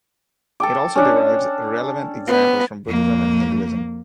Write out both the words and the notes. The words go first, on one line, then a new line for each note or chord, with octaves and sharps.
It also derives relevant examples from Buddhism and Hinduism.
A4 G5 D6
C#4 D4
B3
F2 A#3